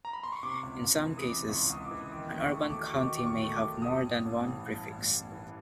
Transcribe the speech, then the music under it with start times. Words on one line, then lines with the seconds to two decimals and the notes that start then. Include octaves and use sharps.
In some cases, an urban county may have more than one prefix.
0.05 A#5
0.13 B5
0.23 C6
0.32 C#6
0.43 C3 D6
0.63 C#2
0.85 C#2
1.06 E3
1.18 D#6
1.27 C3 D6
1.49 C#2 C#6
1.56 C6
1.70 C#2 D#6
1.85 D6
1.91 E3
2.12 D#3 D6
2.34 D#2
2.40 C#6
2.55 A3
2.69 D6
2.77 F#3
2.86 C#6
2.98 D#3 D6
3.16 D#2 D6
3.26 C#6
3.40 A3
3.54 D6
3.61 F#3
3.82 G2 D#6
4.04 A1
4.25 A1
4.46 E3
4.67 G2
4.89 A1
5.10 A1
5.32 E3